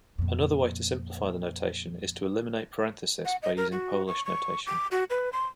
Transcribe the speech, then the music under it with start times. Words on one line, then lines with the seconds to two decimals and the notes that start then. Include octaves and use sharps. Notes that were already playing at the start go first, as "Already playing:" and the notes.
Another way to simplify the notation is to eliminate parenthesis by using Polish Notation.
0.18 F2 A#2
3.25 F#5
3.43 D#5
3.57 A#4
3.72 F#4
4.07 C#6
4.25 C#6
4.66 D6
4.91 F#4
5.10 B4
5.33 C6